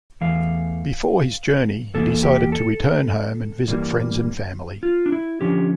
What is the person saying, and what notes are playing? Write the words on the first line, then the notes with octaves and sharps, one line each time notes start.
Before his journey, he decided to return home and visit friends and family.
E2 E3 A3 F5
E2 E3 A#3 A4
G4
A4
G2 E3 G3 A#3
F4
D4
E4
D3 F3 C#4 G4